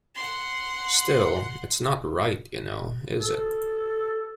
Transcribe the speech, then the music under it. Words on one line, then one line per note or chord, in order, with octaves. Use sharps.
Still, it's not right, you know; is it?
F#5 C6
A4